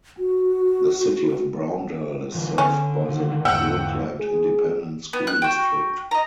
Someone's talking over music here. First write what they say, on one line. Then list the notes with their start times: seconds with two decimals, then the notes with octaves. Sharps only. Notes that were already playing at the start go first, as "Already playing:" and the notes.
The City of Browndell is served by the Brookeland Independent School District.
0.18 F#4
2.35 D3 E3 F3
2.58 D3 C#4
3.09 D3 D#3
3.45 E2 G#2 D3 F#5 G5 E6
4.19 G#4
5.13 B3
5.27 F#6
5.42 F#4 G5
6.11 D#5 A#5